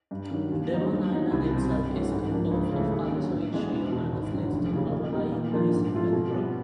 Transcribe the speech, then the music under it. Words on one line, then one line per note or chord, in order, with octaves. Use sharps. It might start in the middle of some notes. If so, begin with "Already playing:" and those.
Devon Island itself is composed of Paleozoic shale and siltstone overlying gneissic bedrock.
G2
D#3 F#3
D#2
D3 F#3 B3 D#4
D#2
D3 F#3 B3 D#4
C2
B2 G3 C4
G2
E3 A3 C#4 F#4
G#2
F3 A#3 D4
C#2
C#3 E3 A3
D#2
D3 F#3
A2
E3 G#3 B3 D4
E1
E2 B2
G#1
F#2 D3 F#3
F1
D#2 C#3
A#2
G3 B3 D#4
A#2
F3 A#3 D4 F4
G#2
F3 A3 C4 F4
B2
G3 B3